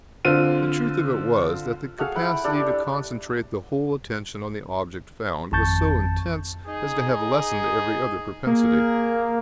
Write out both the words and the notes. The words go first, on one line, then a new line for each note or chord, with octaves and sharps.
The truth of it was that the capacity to concentrate the whole attention on the object found was so intense as to have lessened every other propensity.
D3 C4 F4 D#7
F#4 G#4 A4 F5
E4 F#5 G5 B5
D4 G4 A4
G4
G#1 F2 A5 C#6 G6 A6
D#4 G#4
A#3 G#4 A#4